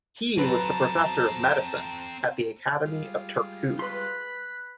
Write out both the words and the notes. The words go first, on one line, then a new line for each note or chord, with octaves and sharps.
He was the professor of medicine at the Academy of Turku.
F#3 C4 A4 B4 A5 A#5
G3 G#3 F4
B4 B5 C6 F#6